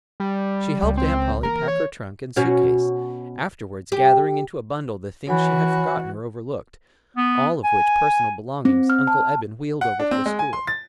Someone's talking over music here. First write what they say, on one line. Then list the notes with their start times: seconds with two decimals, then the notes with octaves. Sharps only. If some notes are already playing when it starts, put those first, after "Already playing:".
She helped Aunt Polly pack her trunk and suit case, afterwards gathering into a bundle the things she had forgotten or overlooked, all of which personal belongings Uncle Eben wheeled over to the school.
0.20 G3
0.82 C#2
0.97 C4
1.43 E3 A#3 A#4
1.68 C#5
2.36 B2 C#4 F#4
3.92 G4
5.27 E3 F#4 C#5 G#5 B5
7.17 B3
7.64 G#5
8.65 C4
8.90 F6
9.07 A5
9.81 F#5
9.99 D4
10.11 C4
10.26 G#3
10.39 G#5
10.53 C6
10.67 A6